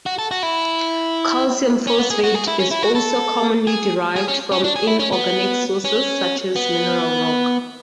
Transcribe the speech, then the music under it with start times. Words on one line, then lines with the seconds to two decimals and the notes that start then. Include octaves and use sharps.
Calcium phosphate is also commonly derived from inorganic sources such as mineral rock.
0.06 F#4
0.19 A4
0.31 F#4
0.43 E4
1.87 C#4
1.99 B3
2.10 G#4
2.24 F#4
2.34 G#4
2.47 E4
2.59 C#4
2.71 E4
2.83 F#4
2.95 A4
3.67 G#4
4.16 G#4
4.28 C#4
4.52 C#4
4.64 D4
4.76 G#4
4.87 E4
5.00 C#4
5.12 B3
5.85 C#4
6.56 B3